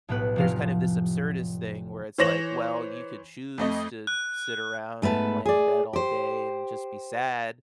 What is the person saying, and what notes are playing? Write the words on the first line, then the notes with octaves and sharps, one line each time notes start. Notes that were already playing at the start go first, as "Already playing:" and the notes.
uh, there's kind of this absurdist thing where it's like, well, you could choose to sit around and lay in bed all day and just be sad
B1 A2 B3 G4 B4 F#6
F1 F3 F5
E3 C5 C#5 A#6 E7 F#7
F2 A3 D#5
F#6
G#2 A3 B3 B4 A5
G#4 D5
G4 C5